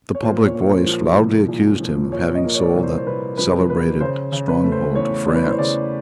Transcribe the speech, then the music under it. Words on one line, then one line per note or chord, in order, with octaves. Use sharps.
The public voice loudly accused him of having sold that celebrated stronghold to France.
C#5
A#2 C5
C#5
A#3
C5
F3
C2
A#2
F3
A#2 C#5
D#5
A#3
C#5
D5
C2
C5
C5
C2 B4
F3 B4
A#3 B4
C#3 C5
C#3
B4
A3
C5
E2 C#5
E3 D5
B4
C5
C#5
C#3 D5